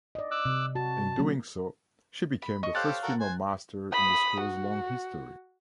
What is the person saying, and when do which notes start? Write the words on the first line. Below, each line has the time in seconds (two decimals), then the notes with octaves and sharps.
In doing so, she became the first female master in the school's long history.
0.15 D5 D#5
0.31 D6 E6 F#6
0.45 C3
0.75 F#4 A5
1.19 F#3 A#3 C#4
2.42 B5
2.63 D#5 C#6
2.75 G4 A4 C5 C#5 F5 F#6 A6
3.03 F#4 A4 A#4
3.20 C5 G#5
3.92 B5 D#6
4.41 F#4